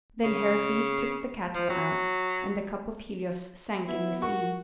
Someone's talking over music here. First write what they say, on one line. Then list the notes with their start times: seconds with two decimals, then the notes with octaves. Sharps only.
Then Heracles took the cattle out, and the cup of Helios sank in the sea.
0.24 C#3
1.55 F3
1.70 F#3
3.88 B3 E4
4.22 F#4 A#4 C#6